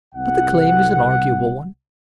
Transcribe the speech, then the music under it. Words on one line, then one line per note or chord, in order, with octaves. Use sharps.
But the claim is an arguable one.
C2 F#5